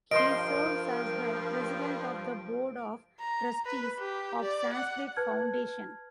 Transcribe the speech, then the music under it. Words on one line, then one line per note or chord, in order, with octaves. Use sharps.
He serves as the President of the Board of Trustees of Sanskriti Foundation.
G2 F3 A#4 D#5 C6 D7
A#5
B4
G4
D5
F#5
B4 A5 F6 G#6